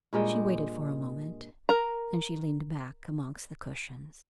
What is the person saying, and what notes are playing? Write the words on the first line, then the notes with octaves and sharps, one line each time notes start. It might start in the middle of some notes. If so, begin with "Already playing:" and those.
She waited for a moment, then she leaned back amongst the cushions.
G2 A#2 G#3 G5
A#4 A#5